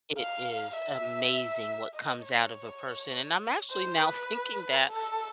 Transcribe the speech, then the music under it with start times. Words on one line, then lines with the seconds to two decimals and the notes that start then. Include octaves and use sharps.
it is amazing what comes out of a person. And I'm actually now thinking that
0.18 F5
0.77 E5
1.95 D#5
2.24 C#5
3.71 C5
4.01 B4
4.89 A4